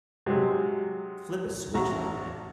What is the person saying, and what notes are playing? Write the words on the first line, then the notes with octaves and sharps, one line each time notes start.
flip a switch like that.
C3 F#3 G#3
A1 F#4 A#5